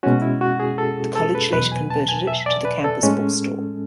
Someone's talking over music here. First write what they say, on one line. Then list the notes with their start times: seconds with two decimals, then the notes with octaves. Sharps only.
The college later converted it to the Campus Bookstore.
0.03 B2 G#3 C#4 F#4
0.22 E4
0.41 F#4
0.60 G#4
0.78 A4
1.16 A4
1.35 B4
1.53 E2 B2 F#3 B4
1.72 G#5
1.90 A5
2.09 G#5
2.27 E5
2.46 D5
2.65 B4
2.84 A4
3.03 A2 G#3 C#4